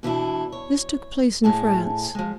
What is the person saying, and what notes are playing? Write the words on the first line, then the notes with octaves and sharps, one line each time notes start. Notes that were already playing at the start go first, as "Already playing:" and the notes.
This took place in France.
B2 E3 D4 E4
C#5
A2 G#4 A5
F3 G#3